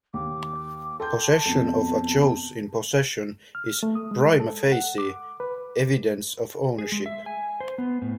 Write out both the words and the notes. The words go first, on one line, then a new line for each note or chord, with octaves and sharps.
Possession of a chose in possession is "prima facie" evidence of ownership.
D#2 D6
A4 G5 C6 G6
A5
F2 B2
F6
A3
D#6
G#3
A4
F#5
D6
B4
G#4
G#3
E5
G#5
C5
B3
A2